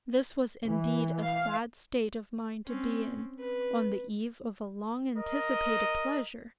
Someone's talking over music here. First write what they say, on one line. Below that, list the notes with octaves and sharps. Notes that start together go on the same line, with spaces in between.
This was indeed a sad state of mind to be in on the eve of a long-anticipated pleasure!
E3
F5
C4 C#4
B4
A#4 D#5